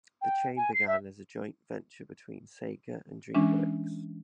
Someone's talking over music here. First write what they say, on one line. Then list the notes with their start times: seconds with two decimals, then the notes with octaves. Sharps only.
The chain began as a joint venture between Sega and DreamWorks.
0.21 G5
0.57 G#5
0.74 C7
0.87 E5
3.35 E3 G#3 C#4 D4